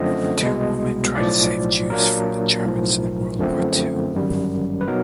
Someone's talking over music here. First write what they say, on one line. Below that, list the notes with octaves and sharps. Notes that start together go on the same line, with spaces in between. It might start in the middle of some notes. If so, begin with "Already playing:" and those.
Two women try to save Jews from the Germans in World War Two.
Already playing: F#2 D3 F3 A3 C4 D#5
C2 B2 G#3
B1 A2 F3 D5
A#2 F#3 A#3 D4 A#4
B1 A2 F3
F#2 D3 F3 A3 C4
G1 F#2 D#3 G3
B4
B2 F#3 B3 D#4 A#4